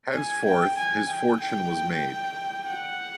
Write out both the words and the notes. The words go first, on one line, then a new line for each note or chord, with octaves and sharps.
Henceforth, his fortune was made.
G#5
G5
G#5
G5
G5
F#5